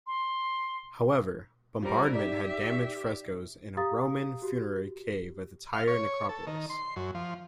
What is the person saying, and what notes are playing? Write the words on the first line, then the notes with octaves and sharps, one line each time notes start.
However, bombardment had damaged frescoes in a Roman funerary cave at the Tyre Necropolis.
C6
G3 F4 A#4 C5 A#5
D#4 G4 D5 E5
G4 F5 A#5 D#6 A6
F#4 G4
F5
C#5
A4
D#3
C6
F#2
F3